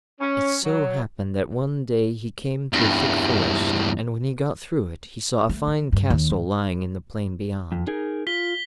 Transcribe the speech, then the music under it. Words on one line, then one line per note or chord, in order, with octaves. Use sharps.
It so happened that one day he came to a thick forest, and when he got through it, he saw a fine castle lying in the plain beyond.
C#4
F#3
E2 G2
A3
E3
G2
D#2
G#2
F2
D#4 G#4 A#4
F4 B6 G7